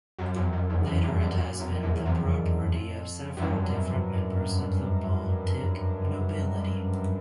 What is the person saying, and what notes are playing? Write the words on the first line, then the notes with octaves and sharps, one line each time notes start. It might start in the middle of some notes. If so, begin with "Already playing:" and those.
Later it has been the property of several different members of the Baltic nobility.
F#2
F2
F#2
E2
F#2
G2
F#2
F#2
F2
E2
F2
G2
F#2
F2